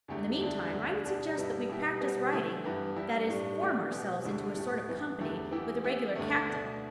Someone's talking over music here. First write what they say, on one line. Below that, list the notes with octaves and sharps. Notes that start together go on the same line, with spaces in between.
In the meantime, I would suggest that we practice riding--that is, form ourselves into a sort of company with a regular captain.
E2 D3 A3 G4
E2 D3 G3 D4
D2 D3 G3
B2 G3 D4 G4
G2 G3 B3 E4
B2 G3 E4 G4
B2 G3 B3 G4
D3 A3 E4
G2 E3 B3 G4
G2 G3 E4 G4
A2 G3 D4
E3 A3 D4 G4
B2 B3 G4
D2 D3 G3 E4
A2 A3 G4
G2 E3 B3
E2 D3 A3 G4
E3 B3 E4 G4
E3 B3 E4 G4
D2 D3 A3
B2 A3 D4